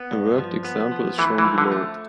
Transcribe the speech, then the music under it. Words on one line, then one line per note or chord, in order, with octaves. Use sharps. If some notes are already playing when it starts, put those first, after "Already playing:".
A worked example is shown below.
Already playing: B3
G2
F3
B3
F3
E3 A3
E3
F3
D3
A3